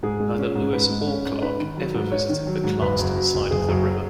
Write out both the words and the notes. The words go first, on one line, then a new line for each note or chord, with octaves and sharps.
Neither Lewis or Clark ever visited the Clarkston side of the river.
G#2 G#4
G#3
C#4
G#2
G#2 B4
G#3
C#4
G#2
D#4 B4
D#3
F#3
G#2
D#4 C#5
D#3
F#3
G#2
F#1 B4
F#2
F#3
F#1
F#1 G#4
F#2
F#3